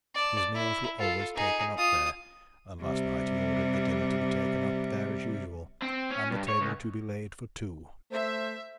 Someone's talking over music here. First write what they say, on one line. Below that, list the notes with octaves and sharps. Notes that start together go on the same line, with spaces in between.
His meals were always taken up there, and last night he ordered the dinner to be taken up there as usual, and the table to be laid for two.
D5 A5
E4
F4 A4
D#4 G#4
F4 D#6
C3 G3
C4
C#4
G2
C#5
C#2
A3 C5 E5